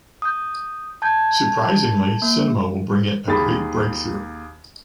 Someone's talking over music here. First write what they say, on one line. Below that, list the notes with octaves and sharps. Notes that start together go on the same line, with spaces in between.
Surprisingly, cinema will bring it a great breakthrough.
D#6 G6
A5 G6 G#6
A#3
D#2 G#4 B5 A6